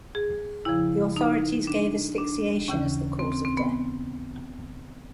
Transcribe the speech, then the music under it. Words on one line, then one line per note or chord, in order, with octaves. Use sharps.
The authorities gave asphyxiation as the cause of death.
G#4
E2 C#3 F3 E4
D#4
D4
D4
D#2 C#3 E3 C#4
C4
C4
C4
B3